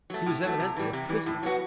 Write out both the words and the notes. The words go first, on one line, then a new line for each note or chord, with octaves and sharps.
He was evidently a prisoner.
F#3 A3
A2
F#3 A3
C3
E3 G3
C3
E3 G3
A2
F#3 B3 F#4